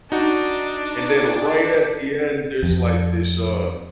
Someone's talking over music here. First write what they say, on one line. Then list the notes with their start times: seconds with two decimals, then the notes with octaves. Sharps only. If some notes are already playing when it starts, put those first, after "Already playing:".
and then right at the end, there's, like, this, uh
0.12 D4 D#4 F#4
2.63 F2